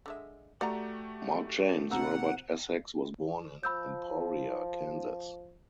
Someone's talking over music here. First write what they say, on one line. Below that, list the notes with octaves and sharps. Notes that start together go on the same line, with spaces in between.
Mark James Robert Essex was born in Emporia, Kansas.
D3 G#3 E5
A3 F#4 G4 D5 F#5 A#5
C3 F3 F#5 A#5 E6
F3 B5 E6 G6